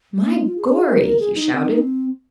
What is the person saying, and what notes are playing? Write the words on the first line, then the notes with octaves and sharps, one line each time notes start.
"My gorry!" he shouted.
A#3
D#4
F4
G#4
G#4
A#4
A#4
G#4
D#4
C4
D#4
C4